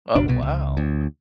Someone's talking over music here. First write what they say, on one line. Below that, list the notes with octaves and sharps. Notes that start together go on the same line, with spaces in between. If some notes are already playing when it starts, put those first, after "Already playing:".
Oh wow,
F#1 B1 D4
C2 B2
C#2
D2